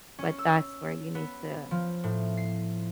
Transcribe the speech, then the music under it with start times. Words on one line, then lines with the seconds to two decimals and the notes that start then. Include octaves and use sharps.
but that's where you need to
0.19 C#4
0.38 E6
1.15 B3
1.71 F3
2.04 A2
2.37 C7